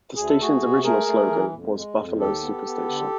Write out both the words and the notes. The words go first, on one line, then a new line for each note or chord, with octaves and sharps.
The station's original slogan was "Buffalo's Superstation".
D2 G#4
A4
A3 F#4 G#4
C3
A3 G#4 A#4
A3
E3
F2
G#3
F2
D#2 G4 A4
B3
B3
D3